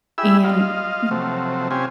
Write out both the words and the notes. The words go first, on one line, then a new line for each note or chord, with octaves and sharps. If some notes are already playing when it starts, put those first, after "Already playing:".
And m
E4 G4 G#4 E5 B5 E6
F4 D#5 F5
C3 F3 F#3 A3 C4
C3 C4 C#4 F4 G4 G#5